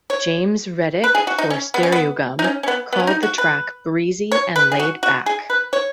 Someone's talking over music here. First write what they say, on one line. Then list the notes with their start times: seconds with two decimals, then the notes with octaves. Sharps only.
James Rettig for "Stereogum" called the track "breezy and laidback".
0.10 C#5
1.04 B4
1.15 G#4
1.27 F#4
1.38 D#4
1.50 C#4
1.74 B3
1.83 C#4
1.92 B3
2.39 D#4
2.44 C#4
2.63 C#4
2.68 B3
2.92 B3
3.00 C#4
3.07 D#4
3.23 F#4
3.38 B4
4.32 C#5
4.56 B4
4.72 G#4
4.79 F#4
5.03 F#4
5.26 G#4
5.50 B4
5.73 C#5